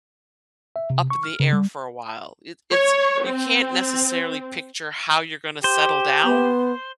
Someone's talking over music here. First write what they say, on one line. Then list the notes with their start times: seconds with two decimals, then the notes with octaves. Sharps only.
up in the air for a while. It it's, you can't necessarily picture how you're gonna settle down
0.76 E5
0.90 C3
1.10 C#6
1.23 F6
1.40 C#3
1.53 G3
2.71 C#5
3.24 C4
5.64 G4 C5
6.24 B3